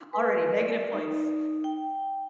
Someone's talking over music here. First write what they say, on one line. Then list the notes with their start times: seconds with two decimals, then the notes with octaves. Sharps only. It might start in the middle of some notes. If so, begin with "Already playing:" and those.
Already negative points.
0.13 B4
0.53 D5
0.93 D#4
1.64 G5